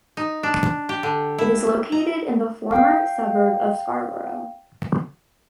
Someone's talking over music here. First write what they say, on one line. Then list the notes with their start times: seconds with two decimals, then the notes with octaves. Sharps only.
It is located in the former suburb of Scarborough.
0.17 D#4
0.43 D4
0.89 G4
1.03 D3
1.38 E4
1.92 A#5
2.72 F5 G5